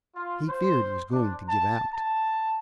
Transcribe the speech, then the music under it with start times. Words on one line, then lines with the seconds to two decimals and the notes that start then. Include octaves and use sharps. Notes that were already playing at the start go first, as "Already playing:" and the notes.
He feared he was going to give out.
0.16 F4
0.49 C5
1.12 D4
1.49 A5
1.95 A5